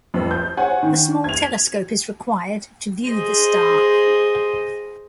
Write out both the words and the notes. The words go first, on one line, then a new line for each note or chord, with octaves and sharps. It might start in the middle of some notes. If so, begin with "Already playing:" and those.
A small telescope is required to view the star.
F2 B4
G6
C5 C#5 F#5 G#5
D#3
G#6 F7
G#4 C5 D#5